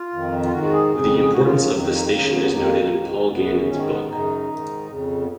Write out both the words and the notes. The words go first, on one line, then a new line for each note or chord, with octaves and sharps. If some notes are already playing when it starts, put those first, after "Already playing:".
The importance of the station is noted in Paul Gannon's book.
Already playing: F4
F2 D#3
F4
G#2 D#3 F#4
F#4
G#4
F2 C#3
G#4
D#2 C#3 F#4
F4
F#3
F2 D#3 F#3
A#3
D#2 C#3 A#3
B3
B3
F2 D#3 A#3
G#2 D#3
F#2 C#3 B3
G#2 D#3 C#4
B3
F#2 C#3 D#4
G#2 D#3
F2 C#3
B3